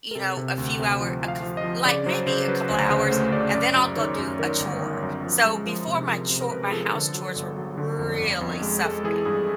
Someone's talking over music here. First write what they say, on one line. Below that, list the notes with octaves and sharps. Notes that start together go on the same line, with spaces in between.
you know, a few hour a coup like, maybe a couple of hours, and then I'll go do a chore. So before my chore my house chores were really suffering.
A#4
C3 A4
C3
D2
C3
F3
F3
F5
F3
D#5
F3
C#3 D5
F#3 C5
C#3 C5
F#3 B4
D2 C5
C#3 C5
A3 C5
C#3 D5
F#2 D5
F#2
D#3 C#5
F#2
D#3 A#4
G1
D#3
F#2
F3
G#3
F3
C3
F3 A#4
C3 C5
A#4
C3 B4
G#4
F3 A4
D3
F#3
G1
F#3
D3
F2
G1
F2
G#3
G#3 A4
E3 G#4
G2 G#4